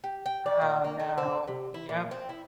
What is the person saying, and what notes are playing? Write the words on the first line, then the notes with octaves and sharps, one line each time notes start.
Oh no, yep.
G4
G5
D5
A#2
A#3
A3
C4
C3
E4
A#2
C4
E4